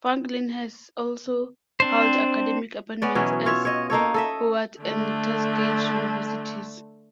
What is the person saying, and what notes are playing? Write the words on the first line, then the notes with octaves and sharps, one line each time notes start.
Franklin has also held academic appointments at Howard and Tuskegee universities.
C4 D4 C5
B3 C#4 D5
B2 E3 F#3 C#4
F4 C#5 E5
C#5 D#5
A#3 D#4 A4 C#5
A4 D#5 E5
D3 A3